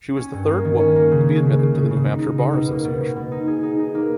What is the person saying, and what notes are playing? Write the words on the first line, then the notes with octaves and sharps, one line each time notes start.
She was the third woman to be admitted to the New Hampshire Bar Association.
C#4
G2
A#3
D#3
C#4
A#3
C#3
G#3
C#3
C#3
C#3
C#3
D#4
D#4
D#4
B2
A#3
B2
B2
B2
D#4
G#4
D#4
D#4
A#3